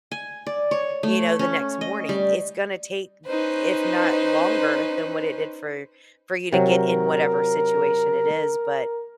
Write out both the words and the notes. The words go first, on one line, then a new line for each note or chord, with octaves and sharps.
you know, the next morning, it's gonna take, if not longer than what it did for for you to get in whatever situation it is, but,
G#5
D5
C#5
A3
C#4
D#5
G3
C#4 D#4 B4 C5
C3 F#3 A#4